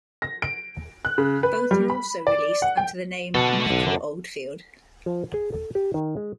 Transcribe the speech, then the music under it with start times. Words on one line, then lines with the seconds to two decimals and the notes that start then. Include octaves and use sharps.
Both were also released under the name Michael Oldfield.
0.22 A#6
0.42 D7
1.05 F#6
1.18 C#3
1.43 B4
1.71 G3
1.90 B5
2.27 D5
2.62 F#5
2.77 G5
3.35 B2 A4 F#5 A5
3.70 B1
3.87 F#2
5.06 F3
5.34 G#4
5.52 A4
5.75 G4
5.94 D#3
6.17 G#3